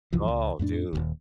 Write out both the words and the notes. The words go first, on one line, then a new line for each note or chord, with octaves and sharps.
Oh, dude.
C2 F#2 E3 F3
C#2
F2 A2 C4 D4
D#1 G#1 D#2